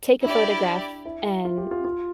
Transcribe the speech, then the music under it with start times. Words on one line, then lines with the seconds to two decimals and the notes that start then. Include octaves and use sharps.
take a photograph and m
0.25 D4 E4 G4 D5
1.05 E4
1.45 F4
1.57 G4
1.71 F4
1.85 F4